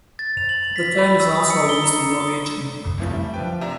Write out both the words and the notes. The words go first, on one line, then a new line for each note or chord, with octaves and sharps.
The term is also used in Norwegian.
A6
F7
F#7
B6
B5
E6
D#6
C#7
G7
A#5
C#7
D#6
F2 E3 F3 A3
G3 E5
F3 D4 B4 G5
C3 D5 E5 A#5